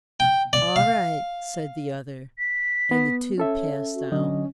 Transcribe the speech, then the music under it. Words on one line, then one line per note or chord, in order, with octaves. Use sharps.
"All right," said the other, and the two passed out.
G5
D5
F5
B6
B3
C#4 A4 C#5 E5
F#4
D3 F#3 C#4 D#5